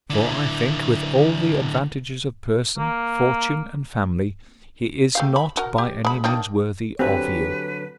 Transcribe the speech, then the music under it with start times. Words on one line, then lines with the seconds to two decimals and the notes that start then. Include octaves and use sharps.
For, I think, with all the advantages of person, fortune, and family, he is not by any means worthy of you.
0.10 D3 E4
2.78 A#3
5.15 A3 G4 F5
5.36 B5
5.57 F#4 A#4
5.78 G4
6.05 G#3 B5
6.24 D#3 A#3 D4
6.99 D3 F#3 C4 G4 B4 G#5 F#6